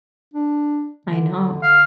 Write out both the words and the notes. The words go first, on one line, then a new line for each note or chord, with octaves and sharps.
I know.
D4
D3
F5